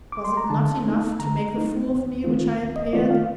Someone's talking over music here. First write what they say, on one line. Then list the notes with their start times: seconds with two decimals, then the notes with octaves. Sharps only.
Was it not enough to make the fool of me which I appeared?
0.12 D6
0.25 C6
0.37 A#5
0.50 D3 A5
0.84 A3 D#4
1.20 D3 A#5
1.54 A3 D#4
1.89 D#2
2.24 D#3 A3 C4 F4
2.59 D#2
2.76 D#5
2.93 D#3 A3 C4 F4 D5
3.11 F5